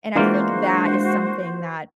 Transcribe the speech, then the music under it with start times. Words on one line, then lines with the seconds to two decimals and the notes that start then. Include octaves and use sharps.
and I think that is something that
0.16 E3 G#3 A#3 D4 F4 F#4 C5